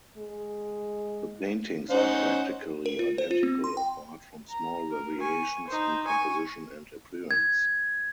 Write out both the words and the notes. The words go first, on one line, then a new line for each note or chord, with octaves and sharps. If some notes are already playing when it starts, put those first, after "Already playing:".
The paintings are practically identical apart from small variations in composition and appearance.
G#3
C#4 D#4 C5 F#5
A#4
F4
C5
F4
C4
C6
G5
A#5
A#4
G#5 C#6
D#4 C5
G#5 C#6
G#6